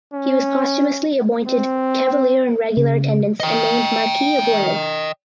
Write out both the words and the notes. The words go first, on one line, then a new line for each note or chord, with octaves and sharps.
He was posthumously appointed Cavalier In Regular Attendance and named Marquis of Wei.
C#4
C4
C#3
D#5 G5